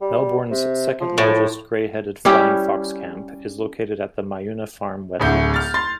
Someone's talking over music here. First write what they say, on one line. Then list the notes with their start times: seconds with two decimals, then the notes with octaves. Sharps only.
Melbourne's second largest Grey-headed flying fox camp is located at the Myuna Farm wetlands.
0.01 G3
0.51 C3
1.00 F3
1.18 A2
2.25 G3 C#4 E4 G4
5.20 D1 D2 G6
5.54 F6 A6
5.74 C6 A6